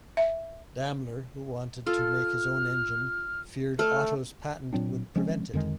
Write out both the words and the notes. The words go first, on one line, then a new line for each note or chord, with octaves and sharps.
Daimler who wanted to make his own engine, feared Otto's patent would prevent it.
E5
F4 A4 F6
A3 A4 F6
A#2 F#3 C4 D4
F3 G#3 C4 C#4
F2 D3 D#3 G#3